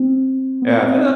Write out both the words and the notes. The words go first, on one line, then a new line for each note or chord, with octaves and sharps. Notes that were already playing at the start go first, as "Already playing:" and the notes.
Yeah, i
Already playing: C4
B3
C4